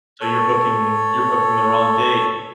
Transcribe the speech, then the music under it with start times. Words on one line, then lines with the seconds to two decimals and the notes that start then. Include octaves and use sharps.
So, you're booking you're booking the wrong date.
0.21 A4 C#5